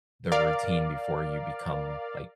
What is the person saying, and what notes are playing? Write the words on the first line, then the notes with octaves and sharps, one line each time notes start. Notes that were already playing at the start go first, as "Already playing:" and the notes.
the routine before you become, like,
A#4 D5 F5